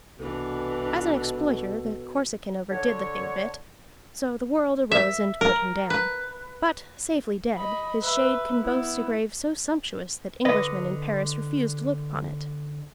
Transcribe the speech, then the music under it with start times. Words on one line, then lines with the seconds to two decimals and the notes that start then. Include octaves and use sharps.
As an exploiter, the Corsican overdid the thing a bit--so the world arose and put him down; but safely dead, his shade can boast a grave so sumptuous that Englishmen in Paris refuse to look upon it.
0.20 C2 B2 E3 D4 A4
2.70 D3 C#5
4.91 E5
5.41 A#4
5.90 B4
7.56 D#5 B5
8.02 B4 E5
8.62 B3 E4
10.45 D3 B4 D#5